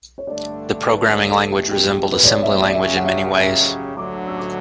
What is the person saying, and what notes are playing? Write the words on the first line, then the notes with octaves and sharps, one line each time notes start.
The programming language resembled assembly language in many ways.
C#5
G2 D3 A3 D4 D5
A4
B4
C#5
A4
E2 B2 A3 G4
G4
G4
B4
D5
C#5
E5
D5
C#3 F#3 C#4 G4 E5
F#5
E5
E5
D2 D3 F#3 D6
E6
D6